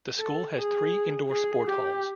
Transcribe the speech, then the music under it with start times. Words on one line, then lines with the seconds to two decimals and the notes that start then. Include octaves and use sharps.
The school has three indoor sport halls.
0.18 A4
0.55 G#4
1.29 G#4
1.67 G4